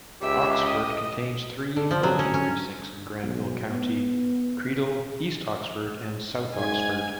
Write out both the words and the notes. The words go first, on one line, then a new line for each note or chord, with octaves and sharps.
Oxford contains three voting precincts in Granville County: Credle, East Oxford, and South Oxford.
C#2 G4 E5
D#5
D3
F3
F#3
C#4
C#4
B1
B3
G#2 G#5 G#6